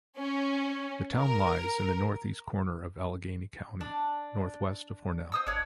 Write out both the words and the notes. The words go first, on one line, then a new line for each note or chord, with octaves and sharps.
The town lies in the northeast corner of Allegany County, northwest of Hornell.
C#4
A#4
D4
C5 D#6 E6
G#1 D4 C#5